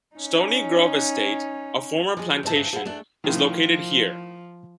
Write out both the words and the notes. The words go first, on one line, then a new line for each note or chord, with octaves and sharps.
Stoney Grove Estate, a former plantation, is located here.
C#4 D#4
F3 G#3 G#4
D2
D#2 G#2 C3 C5 A5
G2 E3 F3
F3 E4 G#4 F#5
E3 A3 D4 A4
A2 D#3 F3